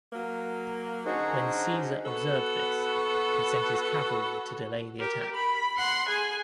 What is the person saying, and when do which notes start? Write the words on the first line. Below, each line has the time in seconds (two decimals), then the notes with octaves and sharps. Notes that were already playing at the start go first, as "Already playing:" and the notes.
When Caesar observed this, he sent his cavalry to delay the attack.
0.12 F#3 A#3
1.06 D3 C#4 D#4 F#4 G#4 C5
2.06 B3 F#4 A4
4.99 G4 A#4
5.34 B5
5.77 F#5 C6
6.08 G#4 G#5